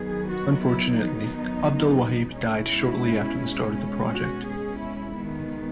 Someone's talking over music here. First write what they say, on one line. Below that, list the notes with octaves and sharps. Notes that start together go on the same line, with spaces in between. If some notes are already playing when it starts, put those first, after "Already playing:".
Unfortunately, Abdelwaheb died shortly after the start of the project.
Already playing: D#3 F#3 B3 G#4
F#4
E4
D#4
B2 G#3 C#4 E4
F#4
G#4
E4
D#3 G#3 B3